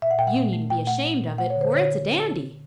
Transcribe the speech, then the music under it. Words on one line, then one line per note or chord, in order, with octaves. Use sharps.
You needn't be ashamed of it, for it's a dandy.
A#2 E5
F#5
A#2 G5
F#5
A#2
A3
A#2 G5
A3 F#5
A#2
A#2
A3 F#5
C#5
D3
C5
D3 C#5